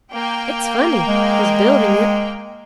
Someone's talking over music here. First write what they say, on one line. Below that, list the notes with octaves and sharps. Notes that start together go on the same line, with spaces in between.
"It's funny--his building it."
A#3 G5
G#3